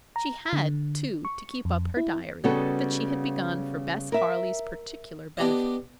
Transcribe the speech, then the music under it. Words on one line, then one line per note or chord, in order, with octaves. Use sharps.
She had, too, to keep up her diary that she had begun for Bess Harley's particular benefit.
A#5
D3
C#6
F2
E4
C#3 G3 B3 F#4 A4
A#4 E5
B3 D4 G4 D#5